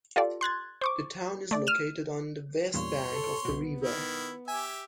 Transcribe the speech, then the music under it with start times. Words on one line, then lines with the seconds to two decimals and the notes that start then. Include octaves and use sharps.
The town is located on the West Bank of the river.
0.16 F4 G4 A4 D5
0.41 C6 F#6 G#6 A6
0.81 C5 C#6 D6
1.51 A3 D5
1.67 F6 D#7 E7
2.74 E2 G2 A#2 C#5 C6
3.12 A4
3.45 C2 B2 B3
3.81 D#3 E4
4.48 G4 E5 G#5